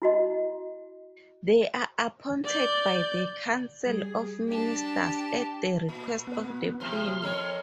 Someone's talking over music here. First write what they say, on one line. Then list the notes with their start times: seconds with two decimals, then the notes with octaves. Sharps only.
They are appointed by the Council of Ministers at the request of the Premier.
0.02 E4 F#4 D#5
2.44 D5 G6
3.83 G3 G#4
4.49 D4 G4 A5
5.89 A#2
6.27 B3
6.80 A2 C3 F3 C6 F6
7.22 F2 A#4 C#5